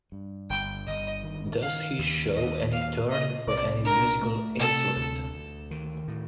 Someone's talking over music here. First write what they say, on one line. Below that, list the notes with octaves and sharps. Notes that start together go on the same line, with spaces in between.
Does he show any turn for any musical instrument?
G2
G1 G5
G1 D#5
D#3
D#3 F5
D#2
D#2 D#5
A#3 F5
A#2 D#5
C2 D5
D4 A#4
A3
C3 A4
D2
D2
D#3
A2